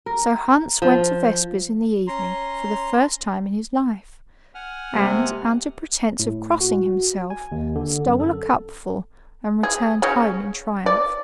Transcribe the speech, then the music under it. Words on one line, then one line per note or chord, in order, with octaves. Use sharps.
So Hans went to vespers in the evening for the first time in his life and, under pretense of crossing himself, stole a cupful and returned home in triumph.
A#4
F3
C#4 A#5 C6
F#5 G#5 F6
C3 G3 G#3 A#3
A2
F#4
G#5
D#2
D3
F#2
A4
G#4
C#3 C#4
D5